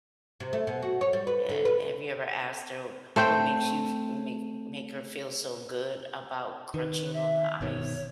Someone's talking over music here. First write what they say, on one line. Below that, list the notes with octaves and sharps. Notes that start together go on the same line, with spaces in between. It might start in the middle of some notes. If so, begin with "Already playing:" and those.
eh, have you ever asked her what makes you f make make her feel so good about crunching on the ice?
C3
A3
B2
F#4
C#5
G3
B4
D3
B4
A3 C4 C5 G5
D#3 B4
E5
G1 B2 D#3 C#5